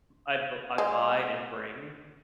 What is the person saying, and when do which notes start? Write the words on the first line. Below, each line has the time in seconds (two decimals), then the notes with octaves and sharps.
I b I buy and bring
0.78 G#3